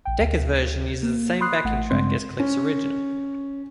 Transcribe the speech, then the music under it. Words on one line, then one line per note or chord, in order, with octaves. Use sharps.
Dekker's version uses the same backing track as Cliff's original.
A#1 G5
D2
A#3
B5 C6 D#6 F#6 C7
A1 A3 F#5
G2 C#3 G#3 C4 C6
C#4